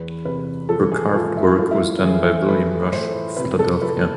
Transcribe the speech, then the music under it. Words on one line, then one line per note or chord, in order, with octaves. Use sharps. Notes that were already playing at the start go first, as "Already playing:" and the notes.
Her carved work was done by William Rush of Philadelphia.
Already playing: E2 B4
C3 B4
F3 A4
G#4
A3 F4
E4
A2 F4
E4
F4
E3 G#4
A3 B4
A2 C5
C3 B4
A4
F3 B4